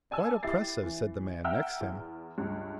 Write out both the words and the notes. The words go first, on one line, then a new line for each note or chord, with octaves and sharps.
"Quite oppressive," said the man next him.
D5 G#5 A5 E6
E4 G4 A6 C7
E3
E5 F#5 G5 A#5 E6 F6
E2
C#2 G2